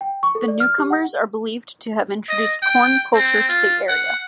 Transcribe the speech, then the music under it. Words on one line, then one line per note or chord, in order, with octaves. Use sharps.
The newcomers are believed to have introduced corn culture to the area.
G5
C#6
A4
D5
F6
G4
F#5
D#5
G5
C4
F4
F#5